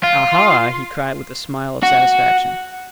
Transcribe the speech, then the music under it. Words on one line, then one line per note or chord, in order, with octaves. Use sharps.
"Aha!" he cried with a smile of satisfaction.
F4
F#4